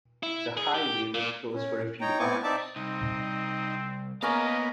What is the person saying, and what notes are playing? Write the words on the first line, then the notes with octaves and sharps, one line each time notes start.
The highway was closed for a few hours.
E4
G#4
G4
A#2
C#4
D#4 C#5 G5 A#5
B3 C4 E4 G#5 C#6 D6
C4 D#4 D5 E5 A5 D6
C2 C4 D#4
A#3 B3 C#4 A#4 B4 D#5 F5 A#5